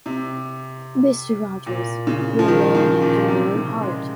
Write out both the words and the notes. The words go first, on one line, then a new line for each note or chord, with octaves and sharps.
Mr. Rogers, you're a man after my own heart.
C3
A#2
C#3
F3
D#3
C#3
A#2
C3
C#3
G#3